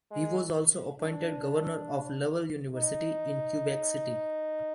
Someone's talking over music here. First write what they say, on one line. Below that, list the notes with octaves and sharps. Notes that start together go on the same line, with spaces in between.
He was also appointed Governor of Laval University in Quebec City.
G#3
D4
D#4